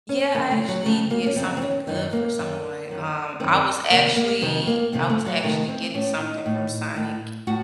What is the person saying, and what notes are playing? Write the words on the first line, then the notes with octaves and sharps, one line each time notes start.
Yeah. I actually did something good for someone. Um, I was actually I was actually getting something from Sonic,
C#4
F2 C#3 A#3
A3
F#3
F2 C#3 A3
A#3
C#4
F2 C#3 C4
C4
C#4
F#2 D#3 D#4
A#3
F#2 D#3
F#2 D#3
F#2 D#3 C4
F2 C3 D#3 A#3
A#3
F2 C3 D#3 C4
A#3
F2 C3 D#3 A#3
A3
F#3
F2 C3 D#3 A3
C4
A2 C#4
D#4
A2
A2
A2 F#4